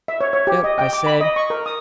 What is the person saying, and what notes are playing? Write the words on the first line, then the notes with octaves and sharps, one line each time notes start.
"Yep," I said.
E5
C#5
C#5
G4
D#5
G5
D6
B5
D#5
C#6
A#4
D#6